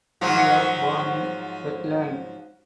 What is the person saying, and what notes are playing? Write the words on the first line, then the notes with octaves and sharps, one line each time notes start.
He was born in Hetland.
G#2 F3 F#3